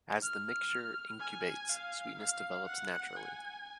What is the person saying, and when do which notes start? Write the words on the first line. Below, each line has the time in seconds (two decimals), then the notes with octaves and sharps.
As the mixture incubates, sweetness develops naturally.
0.22 F6
1.20 G#5
1.70 F5
2.19 F5
2.68 F#5
3.17 G#5